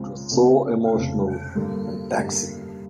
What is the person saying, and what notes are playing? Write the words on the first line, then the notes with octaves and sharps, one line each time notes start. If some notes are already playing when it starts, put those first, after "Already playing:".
It was so emotional and taxing.
Already playing: C#2 C#3 F3 G#3 C4
F1 F2 C#3
F1 F2 C#3
G2 D3 G3 A#3
G2 D3 G3 A#3